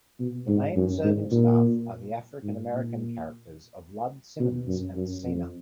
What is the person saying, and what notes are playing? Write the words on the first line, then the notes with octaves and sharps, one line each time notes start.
The main serving staff are the African-American characters of Lud Simmons and Seena.
B2
G#2
F#2
G#2
A#2
G#2
A#2
B2
F#2
F#2
F2